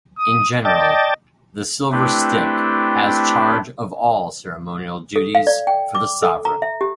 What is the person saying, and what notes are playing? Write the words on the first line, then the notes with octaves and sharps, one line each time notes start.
In general, the Silver Stick has charge of all ceremonial duties for the Sovereign.
D#6
D5 D#5 G5 A5
A3 C4 D4 E4 G4 B4
A4
F5
D5
G5
D6
A4
A#5
E5
G4